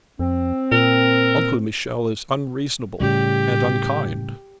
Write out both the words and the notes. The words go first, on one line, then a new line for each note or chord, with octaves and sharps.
Uncle Michel is unreasonable,--and unkind.'
F2 C4
A#2 A#4
A2 C#3 G3 G4